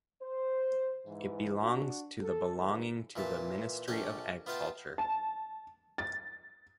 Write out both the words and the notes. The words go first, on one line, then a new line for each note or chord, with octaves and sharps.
It belongs to the belonging to the Ministry of Agriculture.
C5
G#2 E3
D4 F#4
A4
G#1 D#2 A#2 D3 E3 G3
A#2 E3 E5 A5
A#1 C#4 D4 A4 G5
B3 F4 E5 F5 G5 A5
A5
A6